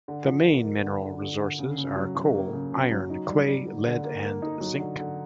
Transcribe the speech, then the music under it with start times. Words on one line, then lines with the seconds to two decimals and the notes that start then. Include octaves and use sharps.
The main mineral resources are coal, iron, clay, lead and zinc.
0.08 D3
0.26 F3
0.46 A#3
0.65 A#3
0.83 D3
1.02 D3
1.21 D3
1.40 D3
1.59 C#3
1.78 C#3
1.96 F#3
2.15 F#3
2.35 A#3
2.53 C#3
2.72 C#3
2.91 F#3
3.10 D#4
3.29 G3
3.48 G3
3.66 D3
3.85 D3
4.04 A#3
4.23 A#3
4.42 D#4
4.61 F#3
4.79 D3
4.99 D3